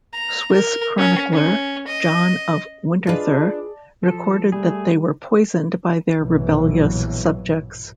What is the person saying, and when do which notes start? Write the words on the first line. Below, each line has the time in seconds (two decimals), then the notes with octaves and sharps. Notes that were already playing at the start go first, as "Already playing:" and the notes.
Swiss chronicler John of Winterthur recorded that they were poisoned by their rebellious subjects.
0.13 A#5
0.53 A#4
0.98 C#4
1.32 C#4
1.88 D#5
3.07 D4 F4 G#4 B4 D5 D#5 A5
4.03 F3 A4
4.52 G3 A3 G#4
6.18 A#1 G2 B2 E3 F#3